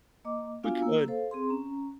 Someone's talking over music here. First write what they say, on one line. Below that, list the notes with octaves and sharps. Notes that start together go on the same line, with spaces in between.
We could.
A#3 D#5 D6
B3 D4 F4 F#4 F5 G#5
A#3 E6
A4 C5 F5
C4 G#4 C6
C#4 A#5